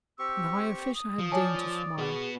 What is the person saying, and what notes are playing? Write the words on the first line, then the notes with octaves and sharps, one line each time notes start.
And the high official had deigned to smile.
C4 G4 C#6 E6
D#6
F3
C#5 D5 G#5 A5
B3 F#4 G#4